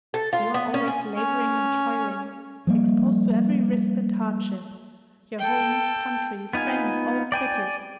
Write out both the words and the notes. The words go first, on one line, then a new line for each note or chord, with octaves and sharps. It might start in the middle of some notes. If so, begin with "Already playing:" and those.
You are always labouring and toiling, exposed to every risk and hardship. Your home, country, friends, all quitted.
A4
F4
B3
C#4
G#5
C#4
F3 G3 A#3
A4 G5
B3 D#4 F4 G#5
D5 G5 G#5